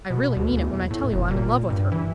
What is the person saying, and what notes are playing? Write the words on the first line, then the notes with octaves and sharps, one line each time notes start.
"I really mean it when I tell you I'm in love with her."
B2
D2
E2
A2
F#1
A#2
G2
E3